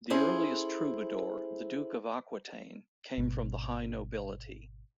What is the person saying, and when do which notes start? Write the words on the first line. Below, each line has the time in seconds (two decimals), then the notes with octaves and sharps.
The earliest troubadour, the Duke of Aquitaine, came from the high nobility.
0.10 C#4 E4 G#4 A4 C5
3.18 G#1 B2